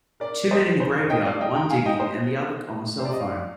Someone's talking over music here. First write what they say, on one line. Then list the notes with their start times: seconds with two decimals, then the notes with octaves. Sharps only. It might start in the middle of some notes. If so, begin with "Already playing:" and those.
Two men in a graveyard, one digging and the other on a cellphone.
0.20 A#4 D5
0.51 C5 D#5
0.80 C5
0.96 A#4
1.10 D#5 G5
1.25 D5 F5
1.41 D#5 G5
1.55 G5 A#5
1.70 F5 G#5
1.86 D#5 G5
2.00 C5 D#5
2.99 C5
3.05 D5
3.13 D#5
3.20 D5 F5